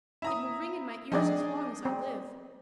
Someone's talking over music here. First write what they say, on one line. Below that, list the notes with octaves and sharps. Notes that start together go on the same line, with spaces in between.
It will ring in my ears as long as I live.
E4 A#5 D#6
F3 C4 D4 D#4 G#4 D5
C4